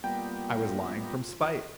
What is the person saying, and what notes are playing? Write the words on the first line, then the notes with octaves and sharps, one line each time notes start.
I was lying from spite.
G3 A#3 B3 F4 G5